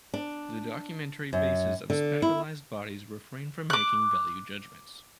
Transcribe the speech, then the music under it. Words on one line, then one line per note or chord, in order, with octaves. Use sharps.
The documentary bases of specialized bodies refrain from making value judgments.
D4
F#2
D3
E4
D6 F#6